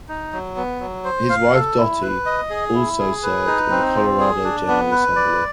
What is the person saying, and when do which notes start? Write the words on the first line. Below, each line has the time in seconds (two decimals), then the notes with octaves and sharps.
His wife Dottie also served in the Colorado General Assembly.
0.09 D#4
0.33 F#3
0.56 B3
0.80 F#3
1.05 C5
1.30 F5
1.53 A4
1.78 E4
2.02 B4
2.26 D#5
2.50 G#4
2.75 E4
2.99 G#4
3.23 B4
3.47 D#4
3.70 C4
3.95 F4
4.20 G#4
4.44 D4
4.68 B3
4.91 B4
5.16 D5